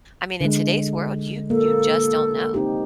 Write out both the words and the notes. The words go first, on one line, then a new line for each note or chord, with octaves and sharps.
I mean, in today's world, you you just don't know.
D3 G#3
A#3 A4
C4 D#4 G4